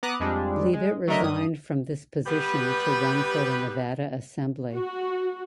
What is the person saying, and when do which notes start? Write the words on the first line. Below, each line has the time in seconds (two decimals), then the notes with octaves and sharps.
Leavitt resigned from this position to run for the Nevada Assembly.
0.03 B3 A#5 D6 D#6 F#6
0.20 F2 G3 G#3 D4
0.73 G#3
1.08 F#3 A3 D4 A#4 D#5 E5
1.23 G2 D#6
2.26 G3 B3 G4 B4
4.73 F#4